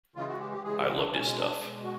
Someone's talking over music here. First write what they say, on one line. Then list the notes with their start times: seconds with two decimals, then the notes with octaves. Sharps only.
I loved his stuff.
0.16 C#3 E3 G#3 F4
0.28 F#4
0.39 G4
0.52 G4
0.64 C#3 E3 G#3 G#4
0.79 G4
0.96 D4
1.11 B2 G#3 C#4
1.36 D4
1.59 B2 G#3
1.83 F#4